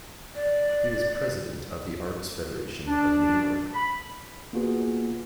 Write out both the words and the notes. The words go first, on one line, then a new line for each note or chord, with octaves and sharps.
He was president of the Arts Federation of New York.
D5
D4
B5
A#3 B3 F4 F#4 G#4 B4